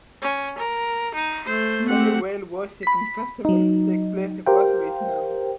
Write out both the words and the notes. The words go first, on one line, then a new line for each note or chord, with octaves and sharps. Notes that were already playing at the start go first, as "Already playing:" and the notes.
Many whale worshiping festivals take place across Vietnam.
C#4
A#4
D#4
A3 C5
A3 C4 G4 F#5
B5 B6
F#3 D#4
G4 A#4 C5 F5 G5